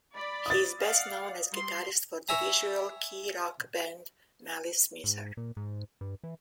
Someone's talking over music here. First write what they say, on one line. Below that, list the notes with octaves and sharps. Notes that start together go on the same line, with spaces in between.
He is best known as guitarist for the visual kei rock band Malice Mizer.
D5 B5
D#6 A6
D5 F5 F#5
G3 C6
C#5 E5 G#5 A#5
G#2
A#2
G#2
G2
E3